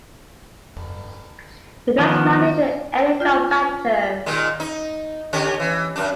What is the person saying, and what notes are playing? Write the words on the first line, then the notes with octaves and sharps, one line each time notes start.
It does not need any cofactors.
D#3 F3 B3
A5
F4 G5 G6
A#2 D#3 G#3
D#4
D3 C#4 G4
E3
F#2 D4